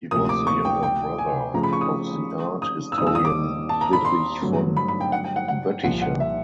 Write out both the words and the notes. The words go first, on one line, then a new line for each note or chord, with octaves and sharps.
He was the younger brother of the art historian Friedrich von Boetticher.
D2 C3 F3 A#3 D#6
D6
C#6
G5
G5
G#5
C#3 F3 A3 A#5
B5
C#6
D#6
D#6
E6
D#2 D#3 G3 C4 D#4 D#6
E6
D#6
D6
A5
A#5
B5
C6
G2 D3 F#3 A3 C4
B5
B5
G5
F#5
G5
F#5
F#5
C2 A#2 F3 F#5
F#5
E5